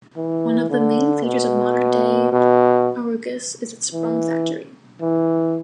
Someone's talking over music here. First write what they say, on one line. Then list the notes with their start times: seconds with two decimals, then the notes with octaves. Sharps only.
One of the main features of modern-day Arucas is its rum factory.
0.16 E3
0.70 D3
1.24 B2
2.32 B2
3.93 E3
5.01 E3